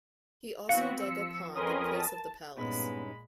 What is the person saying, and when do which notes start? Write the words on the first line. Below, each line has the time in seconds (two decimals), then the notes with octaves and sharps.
He also dug a pond in place of the palace.
0.69 E3 B3 C4 F#4 F5 F#6
1.01 F3 E6 C#7
1.55 F2 C#4 A#4 B4 C6 D#6
1.92 A5
2.57 G2 A#2 G#3 B3 C#4 D#4 B5